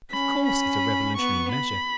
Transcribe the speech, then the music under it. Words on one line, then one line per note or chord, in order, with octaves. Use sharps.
Of course, it is a revolutionary measure.
C#4 B5
B5
B3 C#6
B5